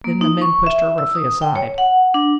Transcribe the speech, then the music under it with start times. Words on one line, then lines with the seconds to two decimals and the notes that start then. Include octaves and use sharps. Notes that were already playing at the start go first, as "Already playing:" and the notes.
Then the men pushed her roughly aside.
0.04 A#3
0.21 D#4
0.41 C#6
0.66 E5
0.98 E6
1.15 D#6
1.42 G5
1.56 C#5
1.78 F#5
2.14 D4